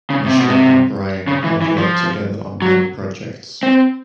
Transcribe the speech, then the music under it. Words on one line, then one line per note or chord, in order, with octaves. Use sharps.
Michelle and Brian have worked together on many projects.
C#3
C3
B2
C3
C#3
E3
E3
F3
F#3
C4